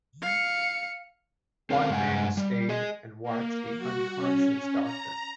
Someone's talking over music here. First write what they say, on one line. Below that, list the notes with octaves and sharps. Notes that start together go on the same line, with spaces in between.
One man stayed and watched the unconscious doctor.
F5 C#7
C4 C#4 A4 A#4 F5
G2 G#3 F#5 G#5
G3
G#4 D#5
A#3
F#4
C#4
A#5